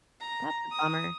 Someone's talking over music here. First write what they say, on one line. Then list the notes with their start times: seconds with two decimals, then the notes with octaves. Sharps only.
That's a bummer.
0.20 A#5
0.71 D#6